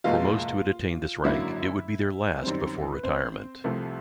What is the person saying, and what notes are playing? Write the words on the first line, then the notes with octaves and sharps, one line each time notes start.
For most who had attained this rank, it would be their last before retirement.
F#1 E2 B2 G#3 F4 F5
G#1 F#2 D3 F#3 A#3 E4 E5
F#2 D#3 G3 C4
B4
C4 C5
C2 C3 F3 A3